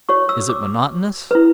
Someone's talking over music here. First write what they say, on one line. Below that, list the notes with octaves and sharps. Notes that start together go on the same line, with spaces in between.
Is it monotonous?
F#4 C#5 C#6
E6
D6
E4 B4